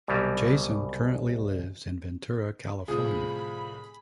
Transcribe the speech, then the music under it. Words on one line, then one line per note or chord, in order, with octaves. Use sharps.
Jason currently lives in Ventura California.
C2 B2 E3 F#3 G3
C2 A2 D3 F3 G#4 B5 D#6